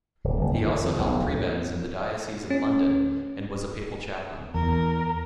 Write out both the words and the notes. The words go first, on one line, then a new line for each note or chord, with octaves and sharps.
He also held prebends in the diocese of London and was a papal chaplain.
D1
F#1
G#2
D#3
F2
B1
D2
A2
C#4
E2 A#4